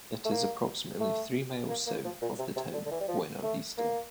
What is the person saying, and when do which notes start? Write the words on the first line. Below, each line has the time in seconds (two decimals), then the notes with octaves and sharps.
It is approximately three miles south of the town of Buena Vista.
0.25 A3
0.31 A#3
1.00 A3
1.69 A#3
1.86 A#3
2.04 F3
2.22 A#2
2.39 C3
2.56 C3
2.73 D3
2.85 D3
2.91 E3
3.00 G3
3.08 F3
3.43 A3
3.78 A#3